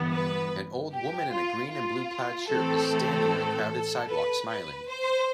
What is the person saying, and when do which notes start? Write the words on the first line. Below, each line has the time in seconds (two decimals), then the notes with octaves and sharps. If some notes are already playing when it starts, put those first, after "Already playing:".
An old woman in a green and blue plaid shirt is standing on a crowded sidewalk smiling.
Already playing: G1 G2 E3 B3
0.11 B4
0.91 G4
1.31 F4
1.70 F4
2.49 A2 E3 A3 C4 A4
4.08 B4
4.48 B4
4.88 C5